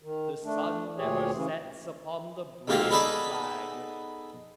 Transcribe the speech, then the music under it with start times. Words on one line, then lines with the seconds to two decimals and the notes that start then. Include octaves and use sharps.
The sun never sets upon the British flag.
0.02 D#3
0.44 A3 D4
0.97 D2 A#2 G4 G#4 C#5
1.33 C#3 E3
2.68 B1 G#2 C3 A#3 G4 F5
2.90 B3 D#4 G#4 A4 B4 D5